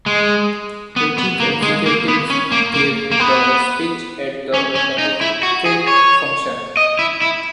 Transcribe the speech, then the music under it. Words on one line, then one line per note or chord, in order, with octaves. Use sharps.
The chief executive gave the speech at the benefit function.
G#3
B3
B3
A#3
G#3
A#3
B3
C#4
A#3
A#3
A#3
B3
C#4
C#4
D#4
E4
F#4
G#4
C#5
D#5
E4
E4